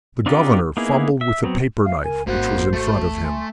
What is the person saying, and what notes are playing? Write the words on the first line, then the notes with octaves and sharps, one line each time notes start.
The governor fumbled with a paper-knife which was in front of him.
C4 D4 D#4 F4 G4
A#3 B3 D#4 E4 G#4
E5
F#3 B3 C4
E5 F5
C#2 A#4 G#5
G#1 A#3 F#4 C5 F#5
A3
G#5 C6